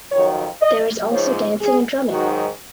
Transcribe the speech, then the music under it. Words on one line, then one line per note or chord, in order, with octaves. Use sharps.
There is also dancing and drumming.
F2 D#3 F#3 C#5
D#5
G#2 F3 C#5
G#4
G#2 D#3 F#3 F#4